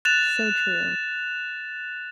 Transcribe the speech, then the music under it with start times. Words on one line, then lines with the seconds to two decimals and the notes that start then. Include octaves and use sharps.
So true.
0.05 F#6 A6 E7 F7